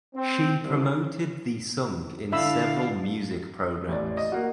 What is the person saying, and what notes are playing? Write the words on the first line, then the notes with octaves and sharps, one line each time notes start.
She promoted the song in several music programs.
C4
C2
D3 D4 E4 E5 F5 B5 E6
A1 D5
D#5
A#3 F#4